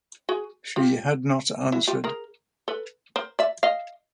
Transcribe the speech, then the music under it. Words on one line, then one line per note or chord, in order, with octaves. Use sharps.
She had not answered.
F#4 G#4
F4 G4
E4 F#4
F4 G4
G#4 A#4
A4 B4
A#4 C5
D5 E5
D#5 F5